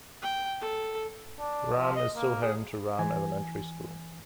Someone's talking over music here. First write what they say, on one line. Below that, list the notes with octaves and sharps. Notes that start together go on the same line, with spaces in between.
Rhame is still home to Rhame Elementary School.
G5
A4
D4
F3
D#5
A#3
G#4
E3 G#5